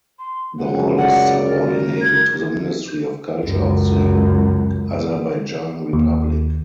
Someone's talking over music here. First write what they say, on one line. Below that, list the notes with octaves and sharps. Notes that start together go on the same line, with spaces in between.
The Hall is subordinated to the Ministry of Culture of the Azerbaijan Republic.
C6
C#2 F#2 C#3 F#5
D5 F#5
A#4
G#6
C#2 F#2
D#2